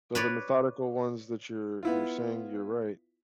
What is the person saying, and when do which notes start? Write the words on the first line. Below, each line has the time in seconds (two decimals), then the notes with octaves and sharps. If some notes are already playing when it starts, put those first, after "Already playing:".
So the methodical ones that you're you're saying you're right,
0.15 B4 C#5 D5
1.83 B3 E4 F4